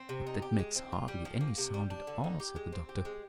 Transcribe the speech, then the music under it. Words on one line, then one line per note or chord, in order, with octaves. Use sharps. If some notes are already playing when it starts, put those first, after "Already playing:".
"But that makes hardly any sound at all," said the Doctor.
Already playing: C4
C3
D#4
G4
G#3
C4
F4
G3
F3
A#3
C3
G3
D4
D3
D#4
G4
G#3
C4
G4
G#3